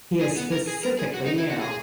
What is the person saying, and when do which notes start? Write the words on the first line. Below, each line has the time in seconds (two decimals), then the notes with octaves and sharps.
He is specifically male.
0.21 G#4
0.37 B3
0.52 A#4
0.67 G#4
0.83 A#4
0.99 G#4
1.14 F#4
1.26 D#4
1.38 E4
1.50 F#4
1.61 G#4